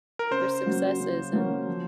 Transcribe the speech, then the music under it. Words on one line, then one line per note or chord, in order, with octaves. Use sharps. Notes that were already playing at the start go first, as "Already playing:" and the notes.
their successes, and
A#4
C#3 C5
F#3 A#3 C#4 F#4
C#3
F#3 A#3 C#4 F#4
F3